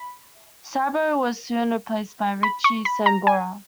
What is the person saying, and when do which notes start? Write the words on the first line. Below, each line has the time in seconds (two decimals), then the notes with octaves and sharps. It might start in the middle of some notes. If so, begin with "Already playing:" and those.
Sabo was soon replaced by Richie Sambora.
Already playing: B5
2.43 B5
2.64 C#6
2.85 B5
3.06 A#5
3.27 G#5